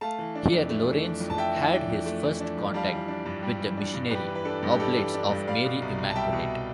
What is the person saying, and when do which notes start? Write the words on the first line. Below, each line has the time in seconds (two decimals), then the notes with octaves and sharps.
Here Lorenz had his first contact with the Missionary Oblates of Mary Immaculate.
0.01 A3 F5 A5
0.19 E3
0.35 D4
0.52 F2
0.69 A3
0.87 E3
1.04 D4
1.20 F2
1.30 A5
1.37 A3 E5 G5
1.56 E3
1.73 D4
1.89 F2
2.06 A3
2.23 E3
2.40 D4
2.57 F2
2.74 G3 F5 A5
2.92 E3
3.08 D4
3.25 G2
3.43 G3
3.59 E3
3.77 D4
3.94 G2
4.10 G3 G4 B4
4.28 E3
4.35 B4
4.45 D4 A4
4.63 G2
4.71 G4
4.80 G3 A4
4.96 E3
5.14 D4
5.30 G2
5.47 G3 D5 F5
5.65 B2
5.82 C2
5.98 C2
6.10 A5
6.15 G3 E5 G5
6.33 B2